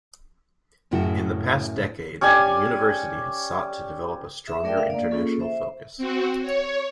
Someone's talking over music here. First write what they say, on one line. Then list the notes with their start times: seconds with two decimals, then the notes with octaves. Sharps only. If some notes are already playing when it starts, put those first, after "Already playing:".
In the past decade, the university has sought to develop a stronger international focus.
0.91 F#2 A2 C#3 E4 F#4
2.21 C#4 G4 D5 G#5
4.47 G#4 E5
4.63 A3 D4 A#4 D5 E5 G5
4.77 F5
4.90 A#3 D5
5.11 A#3 C#4 F4 G#4 A4
5.40 C5 E5
5.98 C4 F#4
6.42 C#5